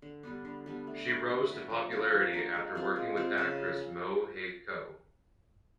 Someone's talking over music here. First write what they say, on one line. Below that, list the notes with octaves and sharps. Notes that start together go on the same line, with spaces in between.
She rose to popularity after working with actress Moe Hay Ko.
D3
G3 B3 D4
D3
G3 B3 D4
A3
D4 F#4 B4
A3
D4 F#4 B4
F3
A#3 D4 F#4
F3
A#3 D4 F#4
G#3
C4 F4
G#3
C4 F4
C#3